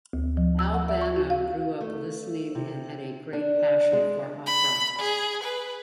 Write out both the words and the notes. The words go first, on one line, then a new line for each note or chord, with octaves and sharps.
Al Bano grew up listening and had a great passion for opera.
D2
F3
E6
F#5
E5
C#6
F#4
F5
A3
C3
D4
G#3
B5
G#4
B4